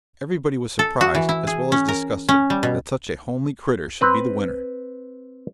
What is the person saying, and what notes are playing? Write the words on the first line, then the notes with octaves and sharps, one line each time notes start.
Everybody was surprised, as well as disgusted, that such a homely "critter" should be the winner.
A4
F#4
E3
E4
G#4
C#4
A#4
C#4
G3
B2
C4 B4